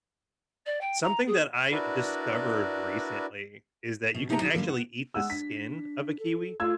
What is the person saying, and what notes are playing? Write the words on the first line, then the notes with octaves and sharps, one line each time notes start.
something that I discovered recently is that you can actually eat the skin of a kiwi.
D5
G5
A#5
G#4
D4 E4 F#4 A#4 B4 D5
B2
C3 D#4 G4 F#5 A5 A#5
D#4 F#4 G#4
D3 G3 A#3 A4
F#5
G#3 F#5 E6
D4 B6
A4
A3 F4 E6 G#6